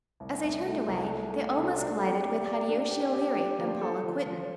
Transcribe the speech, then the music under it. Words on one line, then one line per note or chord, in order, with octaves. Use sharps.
As they turned away, they almost collided with Hideyoshi O'Leary and Paula Quinton.
C2
C2
A3
C2
A3
A3
C3
D4
G4
D5
D5
D4
G4
G4
D4
F3
A4
F3
F3